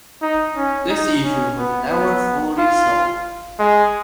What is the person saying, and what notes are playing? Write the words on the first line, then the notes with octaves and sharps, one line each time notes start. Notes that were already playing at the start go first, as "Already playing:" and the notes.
This issue was never fully solved.
D#4
C#4
D#4
C#4
B3
B3
F4
G#3